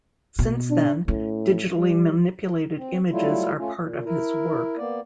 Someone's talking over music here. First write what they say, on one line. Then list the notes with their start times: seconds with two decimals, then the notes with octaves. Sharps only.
Since then, digitally manipulated images are part of his work.
0.39 B2
0.70 D4
1.08 A2 C#4
1.76 G3
2.78 C4
3.11 F#3 G3 A3 E4 F4
3.58 A3 C#4 F4
3.77 A#2
4.05 E4 A#4
4.78 A#3 B3 D5